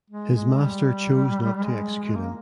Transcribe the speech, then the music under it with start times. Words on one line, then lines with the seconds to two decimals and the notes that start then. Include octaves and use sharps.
His master chose not to execute him.
0.10 G#3
0.35 G#3
0.61 G3
1.64 G#3
2.15 A#3